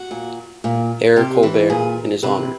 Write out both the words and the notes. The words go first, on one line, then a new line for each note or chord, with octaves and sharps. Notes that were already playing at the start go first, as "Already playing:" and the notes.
"Air Colbert", in his honor.
Already playing: F#4
A#2
A#2
C3 G4
E3
A#2 G#4
C3 B4